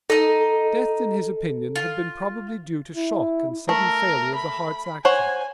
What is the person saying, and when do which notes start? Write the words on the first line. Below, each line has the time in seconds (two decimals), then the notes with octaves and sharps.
Death, in his opinion, had been probably due to shock and sudden failure of the heart's action.
0.10 D#4 A4 D#5
1.76 F4
2.96 E4
3.69 A3 A#4
4.35 B5
5.05 C5 C#5 F#5 G#5